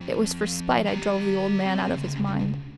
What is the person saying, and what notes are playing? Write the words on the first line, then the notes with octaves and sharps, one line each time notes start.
It was for spite I drove the old man out of his mind....
F2
G4 A#5
C3
D2 C#3